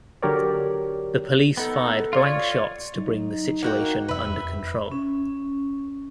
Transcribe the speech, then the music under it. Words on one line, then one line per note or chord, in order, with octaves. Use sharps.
The police fired blank shots to bring the situation under control.
D3 F#3 G4 A#4 C#5 D5
B3 D#4 A4
F4 C#5 D5
F#3 D#4
A#3 F#4 G5
E1 F2 B4 E5
C#4